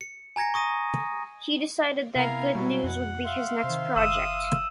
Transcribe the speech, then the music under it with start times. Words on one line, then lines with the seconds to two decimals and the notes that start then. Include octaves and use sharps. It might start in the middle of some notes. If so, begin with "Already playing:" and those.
He decided that "Good News" would be his next project.
0.01 C#7
0.36 G#5 A#5 G#6 A#6 C#7
0.54 C#6 D#6 A#6 D#7
2.16 C3 B3 E4 A#4 F5 G#5
2.55 B2 F#3 G3
2.84 F2 F#5
3.25 E5 F5 C6
3.64 C3 D#3 C5
3.96 F#1 D#6 E6 E7